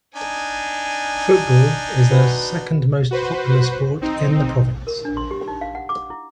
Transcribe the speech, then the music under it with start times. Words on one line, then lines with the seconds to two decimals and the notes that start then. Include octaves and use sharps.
Football is the second most popular sport in the province.
0.16 D4 D#4 G#5
2.11 F#4 B4
3.11 F#4 B4 C5
4.01 C4 D#4
4.87 A#4
5.05 D4
5.17 C6
5.31 G4
5.48 D#4
5.61 F5
5.75 F#5
5.89 D6
6.10 E4